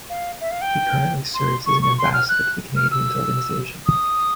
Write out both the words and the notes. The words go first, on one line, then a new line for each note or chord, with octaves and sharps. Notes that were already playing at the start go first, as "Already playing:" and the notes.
He currently serves as an ambassador to the Canadiens organization.
F5
E5
F5
G5
C6
C#6
C#6
C6
F6
F#6
F6
E6
D#6